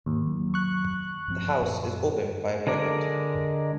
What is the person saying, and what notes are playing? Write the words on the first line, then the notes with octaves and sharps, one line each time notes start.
The house is open by appointment.
D#2 G#2
F#3
C#6 F#6
G2 F3 C4
F#2 A#2
D3 G#3 A#4 D5